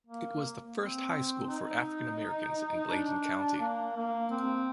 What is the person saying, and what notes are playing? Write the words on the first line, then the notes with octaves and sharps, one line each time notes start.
It was the first high school for African Americans in Bladen County.
A#3
C4
D#4
D4
A#3
A#3
C4